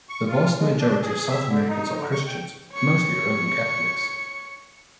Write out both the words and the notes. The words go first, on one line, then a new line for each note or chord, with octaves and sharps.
The vast majority of South Americans are Christians, mostly Roman Catholics.
C#6
F4
G#3
D4
G#4
E5
D3
D#4
D3
C#6
G5
C#5 C#7